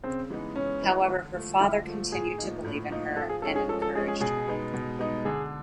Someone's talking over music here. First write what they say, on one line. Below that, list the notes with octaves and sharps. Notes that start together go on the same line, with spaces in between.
However, her father continued to believe in her and encouraged her.
C#3 C4
E3 G#3 B3 D#4
C#3 C#4
E3 G#3 B3 D#4
D3
F3 A3
D3 E4
F3 A3
A2 G#4
F3 A#3 D#4
A2
F3 A#3 D#4
F3 A4
G#4
G#3 C#4 A4
G#4
F3 A4
A4
G#3 C#4 G#4
G#4
B2 G#4
G#3 B3 D#4
B2
G#3 B3 D#4
D3 G#4